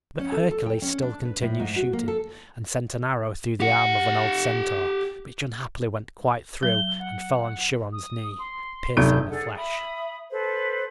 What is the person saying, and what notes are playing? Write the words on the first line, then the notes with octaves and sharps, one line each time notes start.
But Hercules still continued shooting, and sent an arrow through the arm of an old Centaur, which unhappily went quite through and fell on Chiron's knee, piercing the flesh.
C#4
A4
A4
G5
C#4
D4
B4
A2
G#2
F#4
A#3
A4
G4 F#5
F#3 G7
F#5
D#6
C6
F1 C3 F#3 D4 D#4 G6
G#4 A4 D5 F#5
E5 B5 D#6
A4 B4 C5